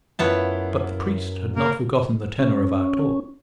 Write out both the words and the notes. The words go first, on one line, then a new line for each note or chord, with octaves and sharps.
But the priest had not forgotten the tenor of our talk.
F#2 B3 E4 F4 C#5 A5
A#3 A#4
C#4